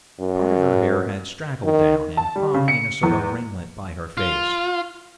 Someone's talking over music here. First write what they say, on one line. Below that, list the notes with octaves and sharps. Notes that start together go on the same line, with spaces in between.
Part of her hair had straggled down, and hung in a sort of ringlet by her face.
F#2
D#3
A5
G3
C#3
C#7
E2
F4